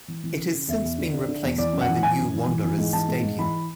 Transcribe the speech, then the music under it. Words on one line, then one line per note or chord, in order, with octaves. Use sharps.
It has since been replaced by the New Wanderers Stadium.
E3
E3
C#3
C#3
E2 E5
E2
D3
D3
D3
E2
E3 D5
F#2
F#5
E3
E3 G#5
F#2
E3
E3
E3
G#2
E3 A5
G#2
G#2
E3 B5